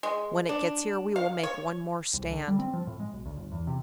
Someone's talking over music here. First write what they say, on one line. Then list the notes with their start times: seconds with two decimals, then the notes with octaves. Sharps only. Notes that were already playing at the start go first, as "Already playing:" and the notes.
When it gets here we will make one more stand.
0.03 G#3
0.49 D4
1.16 F5
1.43 C#5
2.14 C2
2.31 D3
2.48 G3
2.59 C4
2.73 F3
2.87 A2
3.00 G#3
3.14 B1
3.26 D2
3.37 G1
3.52 E2
3.67 C3